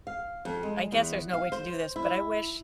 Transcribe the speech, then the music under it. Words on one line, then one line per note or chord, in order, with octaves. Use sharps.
I guess there's no way to do this, but I wish
F5
F2
G#3
E2
F5
C5
E4